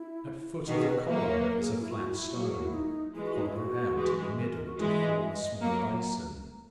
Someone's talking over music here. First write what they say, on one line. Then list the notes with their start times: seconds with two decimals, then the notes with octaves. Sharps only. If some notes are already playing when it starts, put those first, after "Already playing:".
At foot of the column is a flat stone, hollowed out in the middle to form a small basin.
Already playing: E4
0.67 B2 D#3 F#4
0.77 G#4
0.88 B4
0.99 D#5
1.09 F#3 A#3 E5
1.19 E5
1.29 C#5
1.39 B4
1.50 A#4
1.60 G#4
1.71 A#4
1.81 E4
1.91 F#4
2.12 E4
2.32 F#3 A#3 F#4
2.42 G#4
2.52 F#4
2.64 E4
2.73 D#4
3.14 E3 G#3 E4
3.25 F#4
3.36 D#4
3.46 E4
3.56 F#4
3.97 E3 G#3
4.38 A#4
4.52 A#4
4.66 F#4
4.79 E3 G#3 E4
5.00 D#5
5.21 E5
5.30 D#5
5.41 D#5
5.61 F#3 A#3 A#5